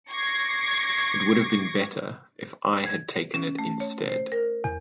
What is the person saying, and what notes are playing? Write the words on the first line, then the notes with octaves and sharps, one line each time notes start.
It would have been better if I had taken it instead!
C#6 D6 G#6 A#6 C7 C#7
G#6
C#4
A3
C#5
C5
A#4
E2